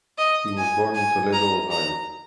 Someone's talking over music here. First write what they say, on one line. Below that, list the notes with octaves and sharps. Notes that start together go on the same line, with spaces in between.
He was born in Toledo, Ohio.
D#5
G#5
G#5
A#5
A#5